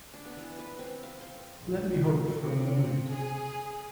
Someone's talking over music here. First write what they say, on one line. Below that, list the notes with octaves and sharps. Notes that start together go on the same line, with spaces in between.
Let me hope for a moment!
D4
B3
E3
B4
C4
F5
C5
A#1
C3
G#4